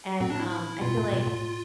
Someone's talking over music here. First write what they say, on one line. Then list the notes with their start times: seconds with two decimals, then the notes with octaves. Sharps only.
And, um, I feel like
0.20 A2 C4
0.30 D4
0.40 E4
0.51 E4
0.81 B2 F4
0.97 A2
1.13 B2
1.27 A2